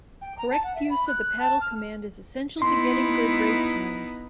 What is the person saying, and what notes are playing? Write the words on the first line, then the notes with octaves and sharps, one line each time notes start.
Correct use of the paddle command is essential to getting good race times.
G5
A#5
A5
F#5
E5
B5
F#6
A5
F6
B3 D#4 E4 C6